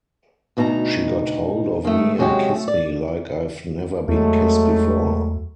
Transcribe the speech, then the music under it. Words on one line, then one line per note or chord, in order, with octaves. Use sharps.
She got hold of me and kissed me like I've never been kissed before.
D2 B2 D#4 A5 A#5
D#3 A3
C3 F#3 G#3 C#4 F#4 G4
A3
D5
E2 F#3 G#3 A3